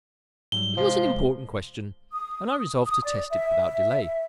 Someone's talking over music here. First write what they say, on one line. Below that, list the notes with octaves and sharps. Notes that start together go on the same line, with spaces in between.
It was an important question and I resolved to test it without delay.
G#2 F#3 G3 G7
C3 F3 G#3
D#6
D#6
D5
E5